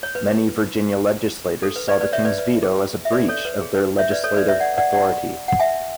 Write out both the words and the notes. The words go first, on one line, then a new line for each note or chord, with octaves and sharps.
Many Virginia legislators saw the king's veto as a breach of their legislative authority.
C#5
B4
A4
B4
B4 D5
B4 D5
C#5 E5
B4 D5
B4
G#4
E5
B4 D5
A4 C#5
B4
G#4
B4
C#5 E5
B4 D5
A4 C#5
B4 D5
C#5 E5
D5 F#5
D5 F#5
D5 F#5
F#5
E5 G#5